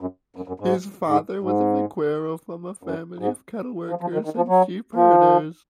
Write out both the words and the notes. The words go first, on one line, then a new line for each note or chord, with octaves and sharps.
His father was a "vaquero" from a family of cattle workers and sheepherders.
F#2
F#2
F#2
G#2
G#2
G#2
F#2
G#2
F3
F3
D#3
D#3
F3
F#3
F3